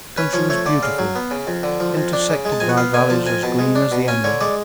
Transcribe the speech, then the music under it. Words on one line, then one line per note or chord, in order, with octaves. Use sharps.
The country was beautiful, intersected by valleys as green as the emerald.
C#4 B4
F3 C#5
A3 C#5
D3 D5
C#3 F5
F#3
B3
C#3
F2
D3
F3
F2
D4
C#3
G#3
A5
F2 G#5
F#5
B3 F5
D3 G#5
F3 A5
F2 G#5
B2 A5
G#3
D4
B2
C#4 G#5
D3 C#5
G#3 D5